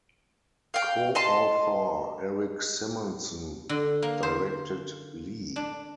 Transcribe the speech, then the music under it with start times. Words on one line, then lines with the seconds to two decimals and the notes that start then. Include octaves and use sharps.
Co-author Eric Simonson directed Lee.
0.74 F5 G5
1.15 D#5 A5 C6
3.69 D3
4.02 A#3
4.23 C5
5.56 D4